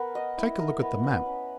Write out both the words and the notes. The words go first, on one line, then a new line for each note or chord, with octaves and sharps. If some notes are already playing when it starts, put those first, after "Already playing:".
Take a look at the map!
Already playing: B3 A#4
D#5
E4
A#4
B3
B4
C#4